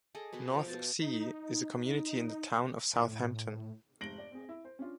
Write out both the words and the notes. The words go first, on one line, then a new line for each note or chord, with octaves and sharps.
North Sea is a community in the Town of Southampton.
G#4 A4 D#5 D6
B2 B3 B4 C6
F3 F5 G5
B2 A5
D#4
A2
F1 G#2 A#6 D7 F#7 G7
D5
C4 G#4
E4
C5
C#4 D4 F4